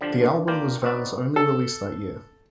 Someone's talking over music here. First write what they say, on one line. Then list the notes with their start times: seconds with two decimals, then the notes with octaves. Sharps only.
The album was Van's only release that year.
0.01 D3 F3 D4 F4 G4
0.47 A#3 D4 F4 G4 A#4 G5
0.82 C4 D#4 F#4 B4 D5
1.36 A4